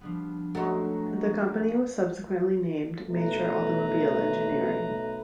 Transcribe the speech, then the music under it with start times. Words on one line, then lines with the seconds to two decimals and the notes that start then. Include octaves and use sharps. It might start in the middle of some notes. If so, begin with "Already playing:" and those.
The company was subsequently named Matra Automobile Engineering.
0.01 F3 G3 B3 D4
0.55 F#3 G#3 A3 C#4 F#4
3.08 B1 A3 B4 A#5